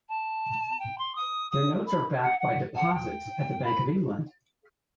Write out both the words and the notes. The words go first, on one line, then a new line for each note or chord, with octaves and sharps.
Their notes are backed by deposits at the Bank of England.
A5
G5
C6
D#6
D#6
B5
F#5
F#5
F#5
G5
B5